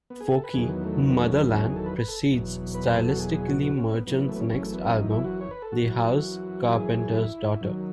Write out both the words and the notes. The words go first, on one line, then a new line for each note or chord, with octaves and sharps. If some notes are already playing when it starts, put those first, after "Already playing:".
Folky "Motherland" precedes stylistically Merchant's next album, "The House Carpenter's Daughter".
B3
G#4
A4
B4
E2 D#3 F#3 G#4
B3
A3
B3
B3
A3
C#4
B3
B3
C#4
G#4
A4
B4
B4
A4
E2 B2 F#3
B4
A4
F#4
G#4
G#4
F#4
F#4
C#4
B3
F#2 E3 B3
B3
A3
B3
C#4
C#4
A3
B3
C#4
D#4
E4
F#4
C#5
B4
A4
F#4
F#2 E3
F#4
G#4
G#4
E4
F#2 D#3 F#3